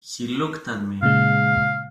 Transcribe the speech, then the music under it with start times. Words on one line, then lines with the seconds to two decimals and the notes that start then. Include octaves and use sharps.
He looked at me.
1.03 A#2 C#3 G#3 F5